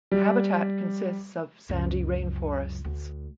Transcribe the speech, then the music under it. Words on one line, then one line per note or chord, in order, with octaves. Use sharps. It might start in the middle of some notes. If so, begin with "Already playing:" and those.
The habitat consists of sandy rainforests.
G3
C#2 F#2
D2